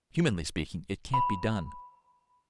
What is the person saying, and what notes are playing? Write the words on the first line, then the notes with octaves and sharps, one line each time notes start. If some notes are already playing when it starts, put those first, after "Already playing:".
Humanly speaking, it can't be done.
B5